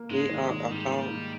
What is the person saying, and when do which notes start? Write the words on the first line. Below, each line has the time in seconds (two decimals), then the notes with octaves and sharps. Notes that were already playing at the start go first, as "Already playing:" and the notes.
They are apart.
Already playing: A#3
0.10 G#2 G#3
0.31 D#3
0.50 D#3
0.70 G#2 G3
0.91 A#3
1.11 D#3